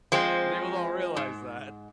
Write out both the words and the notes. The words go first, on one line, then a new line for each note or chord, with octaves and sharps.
People don't realize that.
F3 G#3 C4
G#2